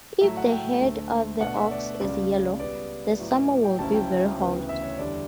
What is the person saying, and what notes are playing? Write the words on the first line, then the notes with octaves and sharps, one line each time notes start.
If the head of the ox is yellow, the summer will be very hot.
A2 F#3 A3 E5
F#5
G5
D2 D3 A3
B2 A3 D4 F#5
E5
D5
C#2 C#3 G3 D5
C#3 G3 B3 D5
A2 F#3 B3
G5
D2 C#3 F#3 C#4 E4 A5
G5
D2 C#3 E3 B3
E5
C#5
E2 D3 G3 D4 D5